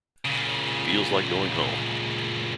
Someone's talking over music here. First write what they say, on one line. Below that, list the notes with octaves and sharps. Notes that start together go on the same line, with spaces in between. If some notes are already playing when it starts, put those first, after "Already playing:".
Feels like going home.
A#2 C#3